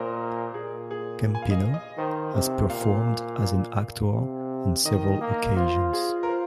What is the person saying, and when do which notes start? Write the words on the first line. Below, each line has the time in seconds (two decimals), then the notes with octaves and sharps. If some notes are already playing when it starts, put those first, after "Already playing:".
Campino has performed as an actor on several occasions.
Already playing: A#2 A#4 C5 D#5
0.54 A#2 G#4
0.91 G#4
1.35 G#5
1.42 F5
1.51 D#5
1.74 D#5
1.98 D#3 C5
2.34 C3
2.70 A#2 F5
4.13 C3
4.85 D#3 D#5
5.21 A#3
5.56 F4 C5
5.93 G#4
6.23 A#4
6.29 C5